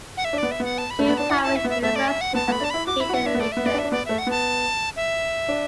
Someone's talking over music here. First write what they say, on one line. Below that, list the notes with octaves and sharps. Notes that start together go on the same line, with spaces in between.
Two private universities are located in the region.
F#5
E5
D4
B3 D5
E5
B3 F#5
A5
B5
A3
B3 B5
D4 A5
E4 F#5
B5
E4 A5
E5
B3
E5
A3 E5
D5
E5
F#5
B3 A5
B3
B5
D4
A5
E4 B5
F#4 D6
E4 B5
F#4
E4 F#5
D4 E5
B3
A3 D5
B3 E5
B3 D5
D4
E5
D4
B3 D5
A3 E5
F#5
B3 A5
E5
D4